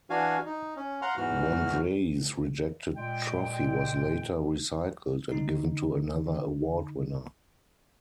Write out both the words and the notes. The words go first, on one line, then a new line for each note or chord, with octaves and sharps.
Wandrei's rejected trophy was later recycled and given to another award winner.
E3 D4 F#4 F5 G#5
D#4
C#4
F5 F#5 A#5 C6 F6
E2 G#2 E3 F#4 F6
A#2 G#3 G5
D3 D#4